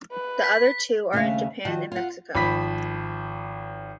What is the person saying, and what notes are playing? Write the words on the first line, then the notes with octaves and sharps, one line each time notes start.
The other two are in Japan and Mexico.
B4
B6
D#2 C#3 A3 D4 E5 F5
D#3 F3 F#4 A5
F4 F#5
G#1 F3 B5 B6